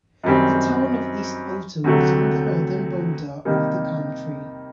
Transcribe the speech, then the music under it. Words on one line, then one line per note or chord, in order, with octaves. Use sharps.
The town of East Otto is on the northern border of the county.
F#2 D#3 G3 C4
D2 C3 F#3 A3
C3 D#3 G3 A#3 D#4